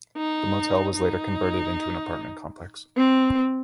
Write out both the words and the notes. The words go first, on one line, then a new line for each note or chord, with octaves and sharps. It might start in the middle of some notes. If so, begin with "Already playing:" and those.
The motel was later converted into an apartment complex.
D#4
D#4
C4